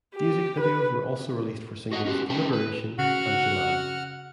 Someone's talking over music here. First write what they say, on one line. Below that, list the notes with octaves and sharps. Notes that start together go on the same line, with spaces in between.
Music videos were also released for singles "Delibration" and "July".
G4
B4
F#4 D#5 E5 F#5
C#4 D#4 F#4 G4
A3 C#4 B4 G5 A5
B4
C#3 F#4 F#5 F6